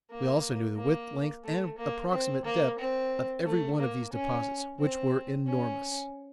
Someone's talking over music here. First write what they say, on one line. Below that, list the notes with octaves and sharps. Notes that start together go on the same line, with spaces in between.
We also knew the width, length, and approximate depth of every one of these deposits, which were enormous.
A#3
A#3
A3
A#3
C4
A#3
C4
A3
A#3
C#4
C4
C#4